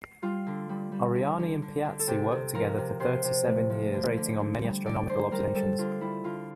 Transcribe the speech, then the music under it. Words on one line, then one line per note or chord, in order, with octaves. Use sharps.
Oriani and Piazzi worked together for thirty-seven years, cooperating on many astronomical observations.
G3 F4
D3
G3
G3
D3
D3
D3
D3
A4
C3 G4
C3
F3 A#4
C3
C3 C5
C3
A3
F3
D3
D3
D3
G3
D3 D5
D3 C5
G3 A#4
G3 A4
D3 F4
G3 E4
D3 F4